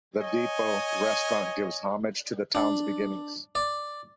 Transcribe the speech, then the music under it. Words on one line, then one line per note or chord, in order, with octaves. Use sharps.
'The Depot' restaurant gives homage to the town's beginnings.
C#5 D#5 G#5
D4
D5